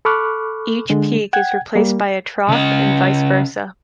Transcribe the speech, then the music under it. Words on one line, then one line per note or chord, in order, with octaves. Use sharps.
Each peak is replaced by a trough and vice versa.
A4 B5 C#6 D6 F6 F#6
D3 G#3 D4
F#5 G5 G#6
G3 A#3
C#3 D#5